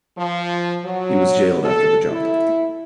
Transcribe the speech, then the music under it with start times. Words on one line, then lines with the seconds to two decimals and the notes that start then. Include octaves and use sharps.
He was jailed after the jump.
0.18 F3
0.85 F#3
1.65 A4
2.12 E4